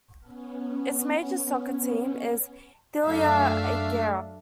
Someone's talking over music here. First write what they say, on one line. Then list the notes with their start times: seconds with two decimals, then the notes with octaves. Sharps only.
Its major soccer team is Thyella Aigeira.
0.21 B3 C#4
3.06 F#2 A3 D4 E5 F5